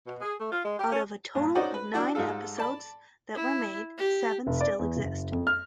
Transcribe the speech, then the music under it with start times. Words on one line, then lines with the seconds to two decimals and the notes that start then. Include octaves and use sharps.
Out of a total of nine episodes that were made, seven still exist.
0.07 B2
0.21 G#4
0.40 A3
0.52 F4
0.64 G#3
0.79 G4
0.92 C#4
1.35 G2 A#2
1.55 C#4 D#4 F#4 C5 D5 F#5
1.74 B4
1.94 D4 E4 F#4
2.15 G#2 G3 D#4 F4 A4
2.58 D5 A5 B5
3.36 E4
3.98 G4
4.47 F1
4.61 D5
4.79 E2
4.97 F#1
5.32 F2
5.47 F6